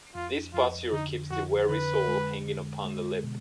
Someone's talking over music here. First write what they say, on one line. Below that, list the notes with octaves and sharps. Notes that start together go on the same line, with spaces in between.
This posture keeps the weary soul hanging upon the lip.
F2 F4
F2 F4
D3 D#4
F2 F#4
D3 B4
G#3
D3
G#3
B2